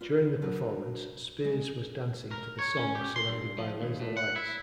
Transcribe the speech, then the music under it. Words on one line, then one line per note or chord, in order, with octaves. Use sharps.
During the performance, Spears was dancing to the song surrounded by laser lights.
F4 B4 D5
F#3 D4 F#4 A#4 B4
G#3
A#4
C#5
C#4
G4
C6
G2
F3
D#2
A2
F#5
E4